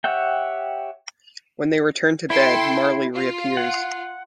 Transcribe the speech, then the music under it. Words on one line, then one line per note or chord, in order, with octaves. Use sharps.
When they return to bed, Marley reappears.
G4 C#5 E5 F#5 G5
E4 A4 G5 C6
F4
F#5